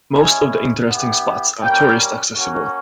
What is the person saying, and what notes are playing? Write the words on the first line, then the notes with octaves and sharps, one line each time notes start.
Most of the interesting spots are tourist-accessible.
G#3 C#4 E4 G#5
B3 E4 G4
G3 A#3 C#4 G5
A#3 C#4 F#4